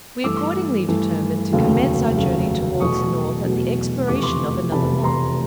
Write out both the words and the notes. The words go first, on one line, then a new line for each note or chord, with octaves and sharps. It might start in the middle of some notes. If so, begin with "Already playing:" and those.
We accordingly determined to commence our journey towards the north at the expiration of another month.
G2 E3 A3 D6 E6
G2 E3 A3
F1 D#2 C#3 F#3 A3
F1 D#2 C#3 F#3 A3
E2 B2 F#3 A3 C#6 D#6
E2 B2 F#3 A3
F1 E2 C3 F3 A3 D6
C#6
C6 D6
F1 E2 C3 F3 A3 A5 B5
A#5 C6